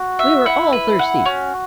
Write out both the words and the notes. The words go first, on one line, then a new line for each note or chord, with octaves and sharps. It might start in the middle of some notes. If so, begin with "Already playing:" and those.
"We were all thirsty."
Already playing: F#4
E5
E4 F#5
B4
F#5
C#4 F#4